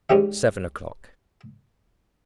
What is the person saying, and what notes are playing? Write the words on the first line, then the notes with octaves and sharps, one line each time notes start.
Seven o'clock.
G#2 G3 C#4 G4 E5